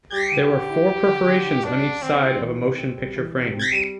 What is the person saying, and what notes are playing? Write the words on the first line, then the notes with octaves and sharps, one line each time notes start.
There were four perforations on each side of a motion picture frame.
G3 G4
D3
D3
E4
G3
D3
D3
E4
G3 D4
D3
D3 C4
E4
E3
C3
C4
G3
E3
C3
C4
G3